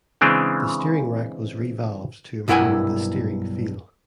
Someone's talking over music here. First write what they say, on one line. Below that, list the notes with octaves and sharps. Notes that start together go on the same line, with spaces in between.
The steering rack was re-valved to improve the steering feel.
C#3 E3 G#3 C4 D4
B1 G2 E4 A#4 F#5 G#5